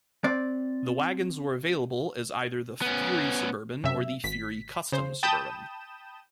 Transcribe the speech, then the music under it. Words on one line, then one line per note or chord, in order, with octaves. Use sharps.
The wagons were available as either the Fury Suburban or Fury Custom Suburban.
C4 D5
B3 C#4
F#2 C3 E5
G#1 B6
C#3 C5
G5 A5 B5 D#6 G6 E7